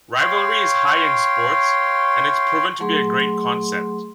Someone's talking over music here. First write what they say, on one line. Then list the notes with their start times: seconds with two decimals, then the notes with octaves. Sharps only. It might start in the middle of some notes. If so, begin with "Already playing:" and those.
Rivalry is high in sports and its proven to be a great concept.
0.20 C#5 F5 G5 C6
2.80 F#3 A3 G#4 F#5 C6